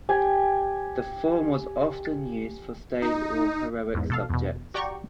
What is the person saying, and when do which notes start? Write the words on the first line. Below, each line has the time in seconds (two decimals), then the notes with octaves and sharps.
The form was often used for stately, or heroic subjects.
0.09 G4 G#5
3.02 D#4
3.95 E2 G#2
4.10 B2 A4 F5
4.30 E2 B2
4.74 F#4 G4 D5 G5 A#5 C#6